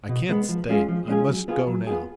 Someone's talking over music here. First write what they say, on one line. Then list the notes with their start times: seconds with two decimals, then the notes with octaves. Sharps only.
"I can't stay, I must go now...."
0.09 B2
0.29 G#3 B3
0.49 F3
0.69 G#3 C#4 F4 G#4
0.88 F3
1.08 G#3 C#4 F4 G#4
1.28 F#3
1.48 B3 F4 G#4
1.67 F#3
1.87 B3 F4 G#4